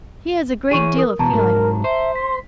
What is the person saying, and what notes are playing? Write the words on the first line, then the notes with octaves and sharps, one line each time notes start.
He has a great deal of feeling.
E3 G#4 C#5 C#6 D#7
A#4 D#6
E2 B2 A5 A#5
G#2 F#3 A#4
C5 E5
C6 B6